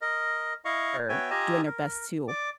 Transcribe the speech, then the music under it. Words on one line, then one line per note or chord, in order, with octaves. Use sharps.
are doing their best to
A#4 D#5
E4 D#5 F5 C#6
B3 F#4 C#5 E5 G5 G#5
F4 G4 D#5 G#5 A#5 E6
A#4
D5 D6